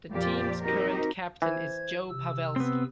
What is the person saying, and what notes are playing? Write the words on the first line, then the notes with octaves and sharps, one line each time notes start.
The team's current captain is Joe Pavelski.
F2 A#2 C4 F4 G4 D5
C4 D#4 F#4 G4 A#4
E3 C5 G#6
C3 E6
B3 C4